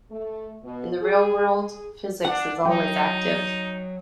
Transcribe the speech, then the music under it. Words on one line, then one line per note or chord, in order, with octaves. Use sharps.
In the real world, physics is always active.
A3
B2
G#4
G#4
D4 F#5
F#3 D#4 G5